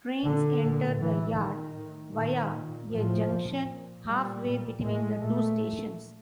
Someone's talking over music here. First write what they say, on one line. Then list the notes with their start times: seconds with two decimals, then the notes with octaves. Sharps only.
Trains enter the yard via a junction halfway between the two stations.
0.22 A#2 D3
0.61 A#2
0.99 A2 E3
1.38 A#2 D#3
1.76 A2
2.14 A#2 D#3
2.53 A#2
2.90 A2 F3
3.30 A#2
3.67 A#2
4.06 A#2 G3
4.44 A#2
4.82 A2 G#3
5.21 A#2 A3
5.59 A#2